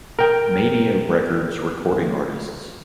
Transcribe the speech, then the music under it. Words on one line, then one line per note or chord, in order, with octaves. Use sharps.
Mania Records recording artists.
A#4 G5